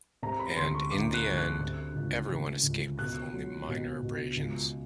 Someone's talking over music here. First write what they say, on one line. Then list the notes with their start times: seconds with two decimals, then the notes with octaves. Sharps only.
And in the end, everyone escaped with only minor abrasions.
0.23 C3 A#5
0.40 B5
0.57 D2 C6
0.75 C#6
0.91 D2 D6
1.14 F#6
1.26 D2
1.37 F#6
1.60 C3
1.95 C#2
2.29 C#2
2.64 C#2
2.99 B2 F#6
3.33 F#3
3.68 B2
4.03 B2
4.37 C#2